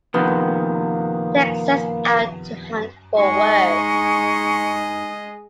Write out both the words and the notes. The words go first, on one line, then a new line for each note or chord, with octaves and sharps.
Tex sets out to hunt for work.
C3 D#3 F3 A#3 B3
G#3 D#4 G#4 D#5 C#6